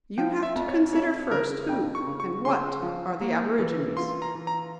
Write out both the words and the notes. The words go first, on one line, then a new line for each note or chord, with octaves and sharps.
You have to consider, first, who and what are the aborigines.
F3 G5
E5
F2
C#5
F2 C#5
C#3 A#4
F2 G5
C#6
C#3
C#6
C#3 C6
F3
A#3
E3
F4 C6
A#5
E3
A#5